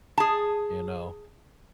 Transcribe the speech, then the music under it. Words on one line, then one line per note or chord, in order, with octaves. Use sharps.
you know
G#4 A5